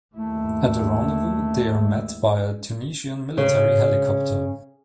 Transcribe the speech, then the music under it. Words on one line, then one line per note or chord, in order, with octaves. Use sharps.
At the rendezvous they are met by a Tunisian military helicopter.
D#2 A3 E4
C#3